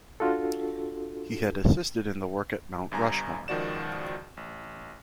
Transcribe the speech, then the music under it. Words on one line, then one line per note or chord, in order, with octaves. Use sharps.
He had assisted in the work at Mount Rushmore.
D4 F4 F#4 A4
G1 G2 G#5 A#5
C#2 D#3 F3 F#4 D5 E7
A1